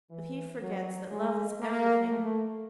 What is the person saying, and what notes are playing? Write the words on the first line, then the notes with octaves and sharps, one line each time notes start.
But he forgets that love is everything.
E3
F#3
G#3
A#3
A3